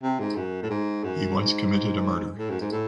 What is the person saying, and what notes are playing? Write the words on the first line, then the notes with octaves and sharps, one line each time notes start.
He once committed a murder.
C3
G#2
F#2
A2
G#2
F#2
G#2
A2
F#2
G#2
A2